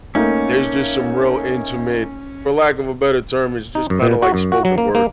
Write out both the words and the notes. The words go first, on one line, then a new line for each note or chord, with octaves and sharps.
There's just some real intimate for lack of a better term, it's just kinda like spoken word.
A3 A#3 C#4 D#4
D#4
F#2
A#2
F#4
F#2
F#4
F#3
A#3
A#3